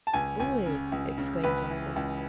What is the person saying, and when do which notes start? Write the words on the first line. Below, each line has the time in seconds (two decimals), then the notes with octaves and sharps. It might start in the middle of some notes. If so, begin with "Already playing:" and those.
"Bully!" exclaimed Raffle.
0.07 A5
0.13 C#2 G#5
0.40 C#2 G#5
0.66 C#3
0.92 C#2
1.18 C#3
1.44 C#2 B4
1.70 E3
1.96 C#2